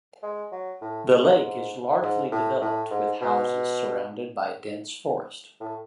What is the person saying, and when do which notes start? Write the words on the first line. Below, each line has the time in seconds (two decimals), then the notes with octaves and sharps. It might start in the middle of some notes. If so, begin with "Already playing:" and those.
The lake is largely developed with houses surrounded by dense forest.
0.23 G#3
0.52 F#3
0.81 A2
1.12 G#2
2.02 G#2
2.32 A2
2.61 A2
2.91 G#2
3.21 B2
5.60 A2